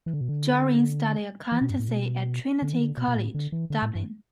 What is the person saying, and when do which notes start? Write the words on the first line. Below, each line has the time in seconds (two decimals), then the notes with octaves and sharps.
Guerin studied accountancy at Trinity College, Dublin.
0.06 E3
0.14 D3
0.21 B2
0.29 D3
1.52 E3
1.61 B2
1.70 G2
1.79 A2
1.88 B2
2.62 D3
2.73 E3
2.79 D3
2.97 B2
3.08 B2
3.16 A2
3.34 D3
3.52 E3
3.70 D3
3.82 A2
3.95 G2